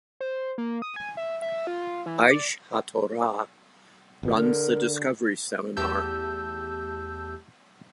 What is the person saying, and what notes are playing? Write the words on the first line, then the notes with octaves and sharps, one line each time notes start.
Aish HaTorah runs the Discovery Seminar.
C5
A#3
D#6
G#5
E5
E5
F4
F4
E3
D5
G#1 B2
D3 A#4
E2 A3 G4 A5 E6 G6